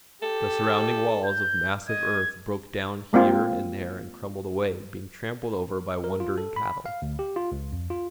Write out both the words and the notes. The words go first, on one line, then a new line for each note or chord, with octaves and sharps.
The surrounding walls of massive earth broke down here and there and crumbled away, being trampled over by wandering cattle.
G4 A4
G4
G6
D#5 G#6
G#3 A#3 C4 F4
A#4
F4
A4
B5
F5
D2
G4
F4
C#2
F2
F4